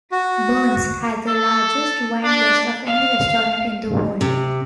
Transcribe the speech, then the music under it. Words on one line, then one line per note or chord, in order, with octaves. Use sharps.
Bern's has the largest wine list of any restaurant in the world.
F#4
A4
D4
F5
C3